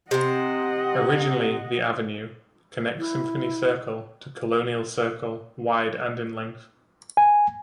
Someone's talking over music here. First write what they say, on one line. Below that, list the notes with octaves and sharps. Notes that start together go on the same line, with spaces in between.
Originally The Avenue; connects Symphony Circle to Colonial Circle; wide and in length.
C3 C4 D#5 F#5
E4
G#5